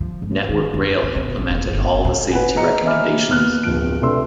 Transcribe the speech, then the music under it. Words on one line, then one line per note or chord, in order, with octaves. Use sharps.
Network Rail implemented all the safety recommendations.
F3
G#2
D#3
F#2
F#2
B2
A#1
E1
G1
A2
B4 F#5 G#5
D#5 A#5 C#7
D#5 E5 G#5 B5 D6 F6
D#2 B3 F6 F#6
D1 F2 F3 D7
C3 A3 D4 B4 C6 E6